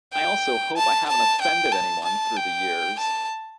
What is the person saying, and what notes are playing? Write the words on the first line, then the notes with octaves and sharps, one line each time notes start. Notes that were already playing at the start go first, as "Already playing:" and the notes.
I also hope I haven't offended anyone through the years.
G5
A5
A5
G5
A5
A5
G5
A5